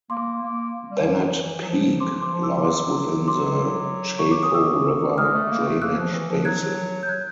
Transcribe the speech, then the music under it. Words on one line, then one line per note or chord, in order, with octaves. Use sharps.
Bennett Peak lies within the Chaco River drainage basin.
A#3 C6 D6
A#3
G3
F3
F3
E3
F#3
F3
F3 C6 D6
C6 D6
F3
D6 E6
F#3 C6 D6
C6 D6
C#6
D6
D#6
D6 E6
G#3 D#6 F6
A3
A#3
A3
A#3 E6 F#6
F3
E3
F3
F#3 F#6 G#6
G6
F#3 F#6 G#6